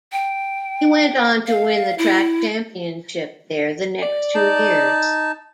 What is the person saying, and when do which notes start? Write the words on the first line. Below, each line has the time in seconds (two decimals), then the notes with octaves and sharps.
He went on to win the track championship there the next two years.
0.12 G5
1.47 F5
1.98 E4
4.03 D5
4.35 D#4 A5